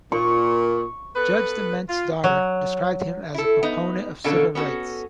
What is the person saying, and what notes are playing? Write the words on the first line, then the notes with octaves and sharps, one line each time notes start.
Judge Diment's daughter described him as a proponent of civil rights.
A#2 C#6
B3 A4 B4
F4
F#3
E4 A4
B3 D#4
B2 D3 A#3 C#4 A4
B3 C#4 F#4 A4